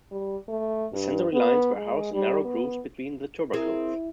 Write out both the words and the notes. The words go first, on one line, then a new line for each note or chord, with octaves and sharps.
The sensory-lines were housed in narrow grooves between the tubercles.
G3
A3
G2
B3
G#3
G3
B3
C4 E4 G#4 A#4